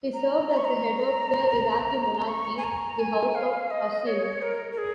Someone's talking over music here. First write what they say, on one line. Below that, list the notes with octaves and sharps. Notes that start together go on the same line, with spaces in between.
He served as the head of the Iraqi monarchy-the House of Hashim.
A#5
A#5
C#6
A#5
C#6
G#5
A#5
G#5
F5
D#5
C#5
A#4
A#4
G#4